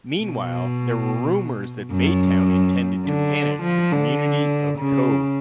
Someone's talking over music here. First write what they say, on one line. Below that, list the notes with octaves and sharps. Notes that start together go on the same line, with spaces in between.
Meanwhile, there were rumors that Baytown intended to annex the community of Cove.
B2
F#2
D3
F3
D3
C#3